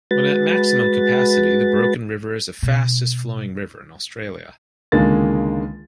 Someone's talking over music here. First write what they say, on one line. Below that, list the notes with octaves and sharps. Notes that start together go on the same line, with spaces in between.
When at maximum capacity, the Broken River is the fastest flowing river in Australia.
G#3 F#4 B4 A6
B2
C#2 D3 D#3 G#3 A#3 A6